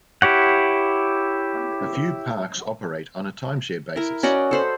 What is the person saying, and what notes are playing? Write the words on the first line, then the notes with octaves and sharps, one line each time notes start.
A few parks operate on a time-share basis.
E4 G4 C#5 F#5
E4 A#4
C#4 F#4 D5 D#5
A4 C5 B5